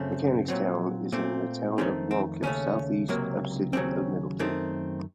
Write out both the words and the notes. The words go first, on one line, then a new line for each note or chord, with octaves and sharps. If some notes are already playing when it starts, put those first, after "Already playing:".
Mechanicstown is in the Town of Walkill, southeast of City of Middletown.
Already playing: F#2 C#3 A3 C4
A#2 F#3 C4
A#2 A3 C4
F2 D#3 A3 C4 C#4
C4
D#2 C#3 A3 C#4
C#2 C3 F#3 A#3
D#2 C#3 F#3 C4
F#2 D#3 A3 C4